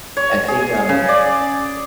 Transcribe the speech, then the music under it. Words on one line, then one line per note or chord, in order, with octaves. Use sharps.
I think, um,
C#5
G#4
C#3
D5